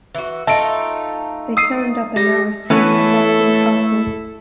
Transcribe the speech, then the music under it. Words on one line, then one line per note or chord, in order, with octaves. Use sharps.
They turned up a narrow street that led to the Castle.
E3 F#4
A3 D#4 F4 E5 A5 D7
D#6 E6 C7 D#7
G3 G4 A#6
E3 A3 B3 C#4 E4 A4